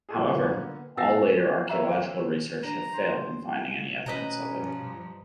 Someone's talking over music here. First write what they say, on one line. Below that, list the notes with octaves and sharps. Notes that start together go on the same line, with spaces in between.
However, all later archaeological research have failed in finding any evidence of it.
G#4 A4
D3 A#3 B3 F4
B2 B3 E6 A6 A#6 C7
C5
B4 C#5 E5 F5 A#5
D4 A#5
C5
B2 C#4 B4 D#5 A#5
G2 F3